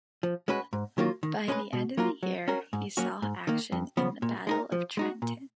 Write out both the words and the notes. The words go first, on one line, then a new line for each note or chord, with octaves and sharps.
By the end of the year, he saw action in the Battle of Trenton.
F3
G#3 C#4 F#4 B4
G#2
D#3 F#3 A#3 F4
D#3
G#3 C#4 G#4 B4
B2
F#3 A#3 F4 A#4
F#3
C#4 F#4 A#4
G#2
F#3 A#3 C#4 F#4
G#2
D#3 A#3
F2
C#3 F3 B3
A#2
G#3 D#4 A#4
F3
G#3 D#4 F#4
A#2